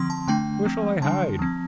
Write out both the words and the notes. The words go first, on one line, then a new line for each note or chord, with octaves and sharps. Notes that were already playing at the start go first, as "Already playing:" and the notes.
Where shall I hide?
Already playing: D3 F3 C4 C6
A5
D3 A3 D4 G5
F3 A3 C4
D3 G3 D4 A5
F3 C4